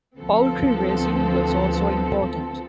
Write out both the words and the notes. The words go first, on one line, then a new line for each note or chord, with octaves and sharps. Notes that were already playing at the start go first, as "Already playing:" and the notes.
Poultry raising was also important.
D2 F3 B3 C4 A4